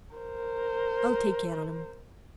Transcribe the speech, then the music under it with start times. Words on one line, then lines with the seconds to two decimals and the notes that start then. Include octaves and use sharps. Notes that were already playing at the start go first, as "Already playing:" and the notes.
I'll take care on him.
0.15 A#4 C5